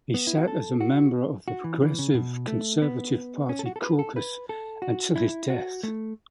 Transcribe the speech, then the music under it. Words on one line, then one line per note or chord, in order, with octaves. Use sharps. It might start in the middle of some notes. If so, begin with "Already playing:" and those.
He sat as a member of the Progressive Conservative Party caucus until his death.
B3
E4
F#4
A4
F#4
F#4
E3
E3
C#3
B2
A3
B3
C#4
A4
F#4
A4
B4
A4
B4
A4
F#4
E4
F#4
A3